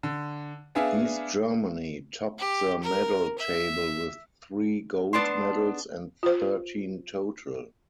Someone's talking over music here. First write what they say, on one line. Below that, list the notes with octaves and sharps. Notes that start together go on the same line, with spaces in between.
East Germany topped the medal table with three gold medals, and thirteen total.
D3
B3 D4 G#4 E5 F5 G#5
G4
A#4
E5
B3 D4 A5 C6
F4 C5